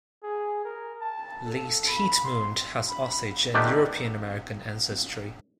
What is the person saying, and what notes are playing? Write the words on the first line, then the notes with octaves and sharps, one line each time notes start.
Least Heat-Moon has Osage and European-American ancestry.
G#4
A#4
A5
A4
B5
C6
B5
D#3 A3 B3 D4 G4 B4